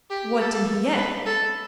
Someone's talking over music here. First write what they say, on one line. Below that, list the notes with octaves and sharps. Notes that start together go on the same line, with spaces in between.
"What did he get?"
G4
A4
B4
A4